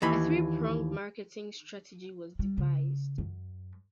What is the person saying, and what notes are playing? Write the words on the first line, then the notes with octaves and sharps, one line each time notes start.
A three-pronged marketing strategy was devised.
D#2 E3 B5
G3
C#3
F#2